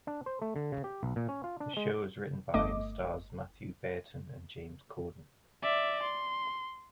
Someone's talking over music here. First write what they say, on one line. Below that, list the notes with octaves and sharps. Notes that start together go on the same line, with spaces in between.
The show was written by, and stars, Mathew Baynton and James Corden.
D4
C5
A3
D3
C#3
G4
B1
A#2
C#4
F4
D4
G#3
G1 A3 D#5 D6
D5 E5
C6